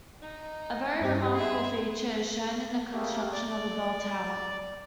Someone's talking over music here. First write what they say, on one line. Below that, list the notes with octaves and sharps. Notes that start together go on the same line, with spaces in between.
A very remarkable feature is shown in the construction of the bell tower.
D#4
G2 C4 D#4 G4
G#4 D#5 E5 C6
C#3 G3 A3 A#3
D5